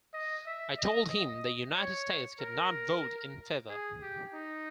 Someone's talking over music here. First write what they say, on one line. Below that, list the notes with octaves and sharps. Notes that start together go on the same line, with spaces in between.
I told him the United States could not vote in favor.
D#5
E5
D#5
D#5
C#5
A#4
G#4
G4
D#4